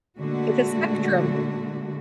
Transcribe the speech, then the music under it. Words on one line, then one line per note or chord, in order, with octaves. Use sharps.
It's a spectrum.
A#2 D3 G#3 A3 F#4